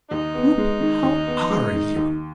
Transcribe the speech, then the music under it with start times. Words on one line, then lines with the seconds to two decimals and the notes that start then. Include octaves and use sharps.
Whoop! How are you!
0.11 D#2 D#4
0.35 B3
0.58 G#3
0.80 D#3
1.03 D#2
1.27 B3
1.50 G#3
1.73 D#3
1.96 D#2